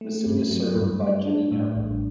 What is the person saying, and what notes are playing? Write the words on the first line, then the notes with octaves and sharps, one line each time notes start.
The city is served by Jining Airport.
A3
G2
F#3
G2
G3
D4
A2
A1